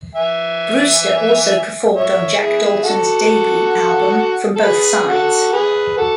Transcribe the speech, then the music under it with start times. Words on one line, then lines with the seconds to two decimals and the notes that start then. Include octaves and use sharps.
Brewster also performed on Jac Dalton's debut album "From Both Sides".
0.15 E5 G#5
1.94 C#5 E5
2.39 E4 G#4
2.83 F#4 A4
4.56 A4
4.63 G#4 B4
5.08 F#4 A4
5.52 G#4 B4
5.98 F#4 A4